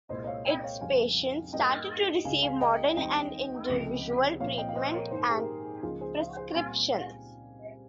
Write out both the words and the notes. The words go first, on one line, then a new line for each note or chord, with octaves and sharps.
Its patients started to receive modern and individual treatment and prescriptions.
C2 A#2 G#3 C5 D#5
D#5
C#5 F5
D#5 G5
C#5 F5
F2 C#3 G3 F5 G#5
G#2 G3 A#3 D#5 G5
C#2 C#3 G#3 F5 G#5
F5 G#5
D#5 G5
D#2 D#3 G3 C4 D#5 G5
C#2 C3 F3
A#2 F3 C4 C#5 F5
D#5 G5
F5
C5 D#5
A#4 C#5
G#2 D#3 A#3 C5
A#4
G#4
G4 A#4
C#2 C#3 F3 A#3 F4 G#4
G#4 C5
G#4 C5
A#2 G3 C4 F5 G#5